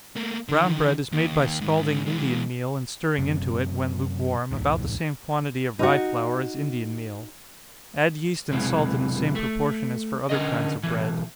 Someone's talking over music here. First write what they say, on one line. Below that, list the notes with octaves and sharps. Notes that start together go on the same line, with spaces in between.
Brown bread is made by scalding Indian meal, and stirring into it, when lukewarm, about the same quantity of rye flour as Indian meal--add yeast and salt in the same proportion as for other kinds of bread.
A3 A#3
D3 D#3
D#2
G#2 D#3
E3 G#3
F#2 C3
D1 B1 E2 G#2
D#4 F#4
B1 E2 C3 E3 G#3
A3
D3 C#4 A#4 D#5
B1 E3